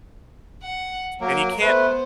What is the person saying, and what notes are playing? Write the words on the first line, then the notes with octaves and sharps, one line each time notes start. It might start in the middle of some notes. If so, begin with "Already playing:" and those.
And you can't
F#5
F#3 A#3 A#4
A3 B3 B4 C5